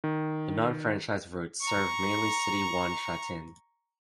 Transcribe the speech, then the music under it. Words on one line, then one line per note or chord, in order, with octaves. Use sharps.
The non-franchised routes serve mainly City One Sha Tin.
D#3
A#5 C#6